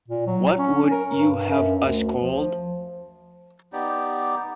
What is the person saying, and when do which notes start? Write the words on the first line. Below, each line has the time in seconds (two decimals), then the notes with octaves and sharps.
What would you have us called?
0.08 A#2
0.27 F#3
0.58 C#4
0.91 A#4
1.12 G2
1.50 F#2
1.83 D2
2.21 F3
3.73 B3 D#4 G4 D5